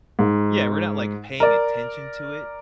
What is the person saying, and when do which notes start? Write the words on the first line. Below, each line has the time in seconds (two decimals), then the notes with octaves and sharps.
Yeah, we're not, like, paying attention to it
0.19 G#2
1.40 A#4 D5